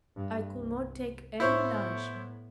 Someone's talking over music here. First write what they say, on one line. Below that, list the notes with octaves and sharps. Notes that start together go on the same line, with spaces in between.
I could not take any nourishment.
G2
C2
A2 B3 E4 C5 C#5